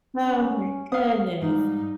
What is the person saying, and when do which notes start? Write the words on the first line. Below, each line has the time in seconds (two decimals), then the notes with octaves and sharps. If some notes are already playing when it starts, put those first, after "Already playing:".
Oh my goodness.
0.20 C#4
0.92 B3 F5 F#5 D#6
1.42 G#2 G3 D#4